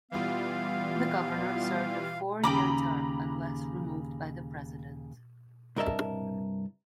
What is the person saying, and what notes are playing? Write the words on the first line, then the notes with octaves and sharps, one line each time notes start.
The governor served a four-year term, unless removed by the President.
E3 G3 B3 F4 F5
D#2 C#3 G5 A#5 B5 D6
C2 G2 A#4 D#5 E5 A5